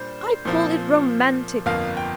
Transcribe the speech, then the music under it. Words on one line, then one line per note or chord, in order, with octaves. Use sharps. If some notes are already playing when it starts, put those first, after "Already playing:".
I call it romantic.
Already playing: A#2 G3 D4 C5
A#2 F3 C4
G1 F2 F3 A#3 F5
G5